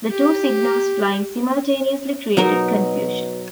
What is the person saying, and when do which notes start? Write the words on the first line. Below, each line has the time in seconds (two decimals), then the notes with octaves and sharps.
The two signals flying simultaneously created confusion.
0.11 G4
2.37 B2 F#3 D#4 A#4